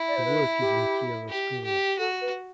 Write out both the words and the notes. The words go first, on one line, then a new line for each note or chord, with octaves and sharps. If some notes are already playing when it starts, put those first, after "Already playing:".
The work is in chiaroscuro.
Already playing: E4
D5
C5
B4
G4
G4
G4
F#4 A4
B4